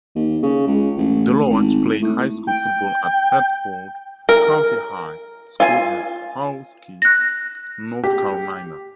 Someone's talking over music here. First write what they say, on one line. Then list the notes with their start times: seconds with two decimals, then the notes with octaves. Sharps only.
Deloatch played high school football at Hertford County High School in Ahoskie, North Carolina.
0.15 D#2
0.42 C#3
0.67 C#2
0.97 A1
1.50 G#1
2.02 A2
2.47 G5
4.29 A#4
5.60 F4 G#5
7.02 F#6 A#6
8.04 G4